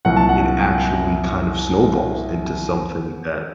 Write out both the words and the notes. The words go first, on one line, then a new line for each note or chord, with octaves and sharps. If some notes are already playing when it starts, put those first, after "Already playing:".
it actually kind of snowballs into something that
C2 A#2 F#3 F#5
A5
F#5